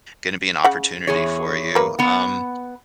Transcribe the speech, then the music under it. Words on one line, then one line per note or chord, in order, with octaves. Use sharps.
gonna be an opportunity for you. Um,
C#3 F#5
E2 G#4 C#5
A#3 B4
B3 F#5